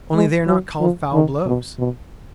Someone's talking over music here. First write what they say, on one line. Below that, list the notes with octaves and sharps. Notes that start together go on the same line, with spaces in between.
Only they are not called foul blows.
G#3
F#3
F3
D#3
B2
B2